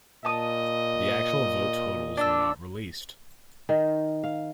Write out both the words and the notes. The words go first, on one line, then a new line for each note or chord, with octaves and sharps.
The actual vote totals were not released.
A#2 D#5 A5 D#6
D4 D5 E6
D#3
F5